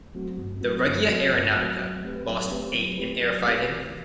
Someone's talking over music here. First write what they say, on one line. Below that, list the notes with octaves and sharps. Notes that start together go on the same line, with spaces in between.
The "Regia Aeronautica" lost eight in air fighting.
F#3 A3 C4 F#4
G2
F#3 A3 C4 F#4
G2
F#3 A3 C4 F#4
G2
F#3 A3 C4 F#4
F#3
A3 C4 G4 B4
F#3
A3 C4 G4 B4
F#3
A3 C4 G4 B4
F#3
A3 C4 G4 B4
E3